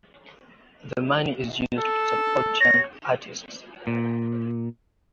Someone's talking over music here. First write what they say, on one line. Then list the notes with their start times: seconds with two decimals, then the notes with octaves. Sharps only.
The money is used to support young artists.
1.78 A4
2.60 C#5 A#6
3.87 A#2